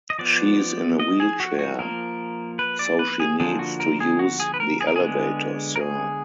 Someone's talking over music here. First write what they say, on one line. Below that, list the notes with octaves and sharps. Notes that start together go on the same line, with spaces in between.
She's in a wheelchair, so she needs to use the elevator, sir.
D#5
F3 B3 D5
D#5
G#4
F#4
F#4
F3 A#3 A#4
B4
D5
B4
G#4
D3 F3 A#3 G#4
F#4
A#4
G#4
F#4
G#4
B4
A#4
G#4
A#4
D3 G#3 B3 G#4
A#4
G#4